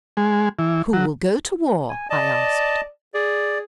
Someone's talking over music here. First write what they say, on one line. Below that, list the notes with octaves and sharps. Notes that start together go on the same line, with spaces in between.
"Who will go to war?" I asked.
G#3
E3
F#3
G#5
D5 D#5 A5
G#4 D5